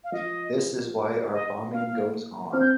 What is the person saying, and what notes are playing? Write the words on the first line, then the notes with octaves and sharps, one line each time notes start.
This is why our bombing goes on"".
F5
F3 D#5
D#5
A#3 F5
C4 F6
G6